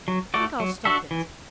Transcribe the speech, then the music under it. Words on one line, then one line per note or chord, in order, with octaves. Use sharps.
I think I'll stop it.
F#3
A3 F#4 D5
F#3
D4 F#4 A4 E5
E3